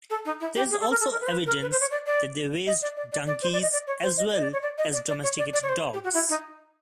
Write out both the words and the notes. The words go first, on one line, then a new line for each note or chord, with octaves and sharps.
There is also evidence that they raised donkeys, as well as domesticated dogs.
A4
D#4
E4
G4
G#4
A4
A#4
A4
A#4
B4
C5
B4
A#4
B4
C5
C#5
D5
D5
D#5
D5
D5
D5
D5
C5
D5
D#5
D5
C#5
C5
D#5
D5
D#5
D5
C#5
D5
D#5
D5
D5
C#5
D5
D5
C#5
C5
G4
F#4
E4
D#4